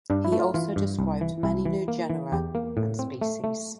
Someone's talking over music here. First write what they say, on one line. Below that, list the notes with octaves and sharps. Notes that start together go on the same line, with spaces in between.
He also described many new genera and species.
G2 D4
E4
A3
F4
E3 F4
G2
C2
E3
C2 E4
E3
A#3
E3
E2 G4
A#3
A2
C4
A3
A3